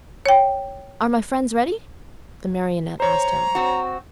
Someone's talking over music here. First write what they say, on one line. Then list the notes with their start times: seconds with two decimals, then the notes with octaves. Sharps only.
"Are my friends ready?" the Marionette asked him.
0.26 C#5 G5
3.00 C5 C#5 A#5
3.55 C4 F#4